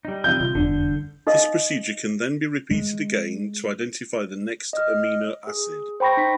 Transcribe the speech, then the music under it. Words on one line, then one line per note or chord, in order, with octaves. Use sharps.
This procedure can then be repeated again to identify the next amino acid.
G3 D#4
C3 E3 F3 G6
C3 F4
F1 E2 G2 D3 D4
D#4 A4 D#5 F5 D#6
G#3
D#5 F6
G#4
C5 G5 B5 C#6 A#6
D#4 B6